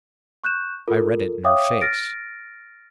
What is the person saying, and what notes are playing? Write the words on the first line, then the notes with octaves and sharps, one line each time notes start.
I read it in her face.
C#6 F#6 G6 E7
F4 A4 A#4
C#5 E5 F5 G5 D6 D#6
F6 A6 A#6 D7